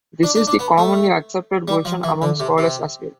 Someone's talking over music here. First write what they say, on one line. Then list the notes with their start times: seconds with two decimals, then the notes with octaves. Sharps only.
This is the commonly accepted version among scholars as well.
0.23 D4
0.35 D4
0.47 D4
0.59 B3
0.78 A3
1.68 G3
1.85 F3
2.03 E3
2.22 D3
2.40 C3
2.58 C3